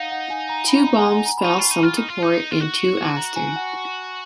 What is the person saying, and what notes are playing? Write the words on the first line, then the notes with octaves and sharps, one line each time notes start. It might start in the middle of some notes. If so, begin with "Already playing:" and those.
Two bombs fell some to port and two astern.
Already playing: D#4 F5 F#5
F#5
G#5
A#5
B5
A#5
F#5
G#5
A#5
B5
D#4 C#6
F4
D#4
F4 F6
D#4
F4
D#4
F4
F#4
A#5
G#5
F#5